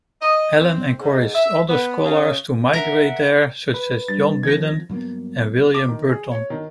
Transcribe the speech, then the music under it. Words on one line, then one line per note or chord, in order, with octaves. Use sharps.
Allen encouraged other scholars to migrate there, such as John Budden and William Burton.
D#5
C4
G#2
E5
B3
C#3
A#4 E5 F#5
B4
G2 A6
F2 D#3 F3 G#6 A#6
G2 F#3 A#3 B3
D6
D#3
G#4
C#5
D#3